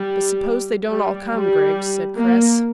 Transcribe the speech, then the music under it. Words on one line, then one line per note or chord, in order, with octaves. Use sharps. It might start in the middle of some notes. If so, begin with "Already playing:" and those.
"But suppose they don't all come, Griggs?" said Chris.
Already playing: G3
G3
G3
A#3